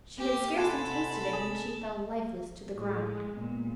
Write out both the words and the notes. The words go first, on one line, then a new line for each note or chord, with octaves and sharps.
She had scarcely tasted it, when she fell lifeless to the ground.
A#3 G4
C3 A4 F#5 G#5 B5 C6
G#4
A2 G#3
A#2 B3